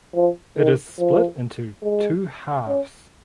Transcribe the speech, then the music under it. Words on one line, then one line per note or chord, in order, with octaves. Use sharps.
It is split into two halves.
F3
D#3
F3
G#3
C#4